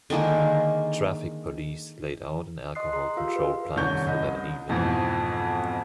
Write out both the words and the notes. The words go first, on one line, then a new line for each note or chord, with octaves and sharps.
Traffic police laid out an alcohol control plan for that evening.
D3 D#3 G#3 A#3
D#5 C6 D#6 F#6 C7
G#4 A#5 C6 C7
F4 G4 A#4 F5 E6
B4 D#5
C2 D3 D#3 C#4 C#6 G6
C2 D#5
F2 G#2 B2 E3 F3